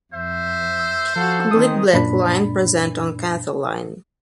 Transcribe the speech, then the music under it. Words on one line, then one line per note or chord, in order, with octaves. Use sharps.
Oblique black line present on canthal line.
F2 C5 E5
E6
F3 F#4 A4 F5
D#3 G#3 C4 D#6
F#2 A#2 D4 B5